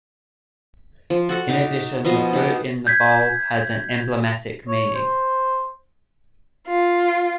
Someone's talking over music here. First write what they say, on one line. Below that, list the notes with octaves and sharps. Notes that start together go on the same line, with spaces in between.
In addition, the fruit in the bowl has an emblematic meaning.
F3
F#4 A4 F#5
D#4 F#4 D6
B2 F3 D#5 F5
D#4 G4
G6 G#6 B6
C#5
C5
F4